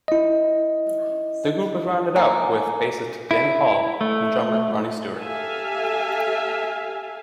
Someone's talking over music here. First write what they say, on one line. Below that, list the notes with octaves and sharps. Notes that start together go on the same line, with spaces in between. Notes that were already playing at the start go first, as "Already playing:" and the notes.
The group was rounded out with bassist Danny Hull and drummer Ronnie Stewart.
E4 D#5
A#3 G#5
E4
A3
G4 A4 E5 F5 G#5 A5